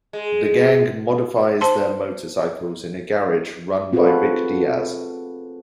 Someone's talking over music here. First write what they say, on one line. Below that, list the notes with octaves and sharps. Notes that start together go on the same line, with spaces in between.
The gang modifies their motorcycles in a garage run by Vic Diaz.
G#3
C5 A5 C6
C4 F4 F#4 G#4 A4 B4